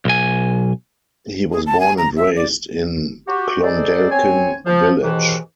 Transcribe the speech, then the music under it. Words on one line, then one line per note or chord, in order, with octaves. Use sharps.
He was born and raised in Clondalkin Village.
B1 G#5
G#4
A5
G#5
A#5
E5
D5
F#4 G4
D#4 G#4 A4 C5 D5
C4 C#5 G#5
F3
D#2 G#2 B2 D#3 E3